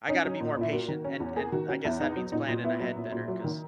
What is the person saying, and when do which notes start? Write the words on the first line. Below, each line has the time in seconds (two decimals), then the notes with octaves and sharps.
I got to be more patient and and I guess that means planning ahead better 'cause
0.09 C#4 D#4
0.25 F#3
0.41 A#2
0.57 A#2 E4
0.73 A#3 F#4
0.88 D#3
1.04 C#4
1.20 E2
1.36 A#3 G#4
1.52 D#3 F#4
1.68 C#4 F#4
1.84 E2 E4
2.00 B3 D#4
2.16 F#3
2.32 A#2 D#4
2.48 A#2
2.64 B3 E4
2.80 F#3
2.96 A#2
3.12 A#2
3.28 F#3
3.44 D#3